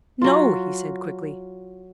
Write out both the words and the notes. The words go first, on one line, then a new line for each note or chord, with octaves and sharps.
"No!" he said, quickly.
F#3 F4